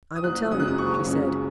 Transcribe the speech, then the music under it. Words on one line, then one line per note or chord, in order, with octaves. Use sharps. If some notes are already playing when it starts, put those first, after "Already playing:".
"I will tell you," she said.
D#6
F#1 F#6
F#2 C#3 G#3 C#4 D#6
F#6
D#6
F#1 C#6
F#2 C#3 G#3 C#4